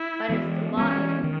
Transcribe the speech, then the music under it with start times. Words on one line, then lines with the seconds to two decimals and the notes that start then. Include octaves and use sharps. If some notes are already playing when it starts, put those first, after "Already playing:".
but it's st a lot of
Already playing: E4
0.29 E3 G#3 B3
0.77 E3 G#3 B3 C#4
1.24 D#3